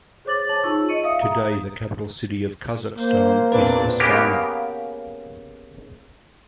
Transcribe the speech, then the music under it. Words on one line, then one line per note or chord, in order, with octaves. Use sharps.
Today, the capital city of Kazakhstan is Astana.
G#4 C5 C#5 D6 A6 F#7
C#5 A5 F#7
D#4 F4 G#4 A5 C#6 E6
D#5 C#7 D#7
E5 F5 D#6
G#4 A#5 D#6
A#3 C5
E2 A#2 C4 D4 B4
C#3 A#3 B3 G4 A#4